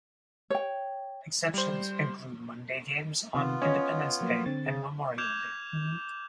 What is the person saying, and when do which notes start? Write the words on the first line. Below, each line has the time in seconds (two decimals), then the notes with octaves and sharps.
Exceptions include Monday games on Independence Day and Memorial Day.
0.50 C#5 G5
1.54 G3 C5
3.34 C3 D#3 B3 F4
3.62 C#4 D#5
4.21 F3 F#3 A#3
4.46 D3 C4 A6
4.65 C#3
5.18 D6 F6 G6 G#6 E7 F7